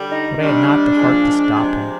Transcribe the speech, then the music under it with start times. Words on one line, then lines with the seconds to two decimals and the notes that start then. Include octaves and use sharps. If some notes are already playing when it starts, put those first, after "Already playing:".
But I had not the heart to stop him.
Already playing: D3 G3
0.12 D#4
0.40 C3 D#3 G3 D4
0.97 A#2 F3 G#3
1.54 C3 F3 G#3